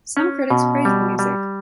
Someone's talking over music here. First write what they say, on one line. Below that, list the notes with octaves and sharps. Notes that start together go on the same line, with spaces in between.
Some critics praised the music.
C#4
B2
G3
G3